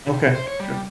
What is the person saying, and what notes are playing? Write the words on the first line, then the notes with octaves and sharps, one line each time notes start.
Okay, sure.
C3
B2
C5
C#5
G3